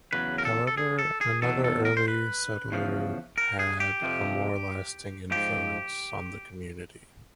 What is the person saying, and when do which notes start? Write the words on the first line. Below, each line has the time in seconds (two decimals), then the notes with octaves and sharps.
However, another early settler had a more lasting influence on the community.
0.13 E2 C#3 F#3 B4
0.38 A#4
0.45 A4
0.67 A4
0.77 G#4
0.99 A4
1.21 G#4
1.42 E2 B2 F#3 A4
1.64 A4
1.85 A#4
1.97 C5
2.08 B4
2.72 E2 C#3 F3
3.38 A#4
3.59 G#4
3.80 G4
4.02 F2 C3 F3
5.32 G#2 F3 G4